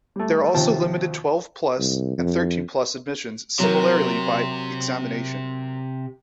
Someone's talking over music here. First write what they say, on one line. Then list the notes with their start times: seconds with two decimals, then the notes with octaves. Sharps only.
There are also limited twelve plus and thirteen plus admissions, similarly by examination.
0.16 G3 A3
0.54 D#2 C3 F3 G5 A5
1.78 C2
2.18 F2
3.59 C3 F#3 A#4